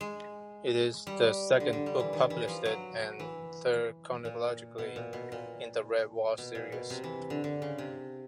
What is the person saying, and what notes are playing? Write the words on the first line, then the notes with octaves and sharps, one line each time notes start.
It is the second book published and third chronologically in the "Redwall" series.
G#3
G3
D3
D3
G3
E3
D#3
E3
F3
F#3
E3
A#2
B2
A#2
B2
A#2
B2
A#2
B2
C3
E3
D3
D3
C#3
C3